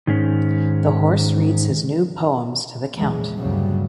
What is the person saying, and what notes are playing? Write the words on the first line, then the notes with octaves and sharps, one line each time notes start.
The horse reads his new poems to the Count.
G#2 D#3 G#3 C#4
A#1 E2 C#3 E3 G#3
D2 G2 A#2 C#3 F#3 G3